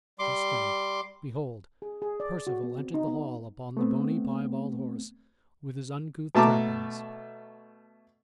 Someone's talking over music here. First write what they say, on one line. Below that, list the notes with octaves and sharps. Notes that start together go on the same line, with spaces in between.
Just then, behold, Perceval entered the hall upon the bony, piebald horse, with his uncouth trappings.
G3 C6 D6
G#4
G#4
D5
F#4
B3
C4
D#4
B3
A3 B3 C4
B2 A3 A5 A#5 D6